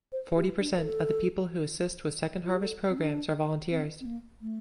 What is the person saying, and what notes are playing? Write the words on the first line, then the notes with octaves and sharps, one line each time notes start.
Forty percent of the people who assist with Second Harvest programs are volunteers.
C5
G4
D4
A#4
A4
F4
G4
A4
C4
D4
C4
C4
A#3
A3